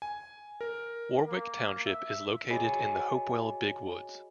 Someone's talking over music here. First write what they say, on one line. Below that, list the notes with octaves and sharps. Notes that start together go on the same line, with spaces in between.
Warwick Township is located in the Hopewell Big Woods.
G#5
A#4
A#3
E5
F#4 G#4 C#5 D#5 G#5 B5